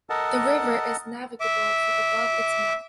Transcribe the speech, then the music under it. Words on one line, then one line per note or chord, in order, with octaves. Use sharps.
The river is navigable for above its mouth.
A4 A#4 D#5 F#5 A5
E5 D6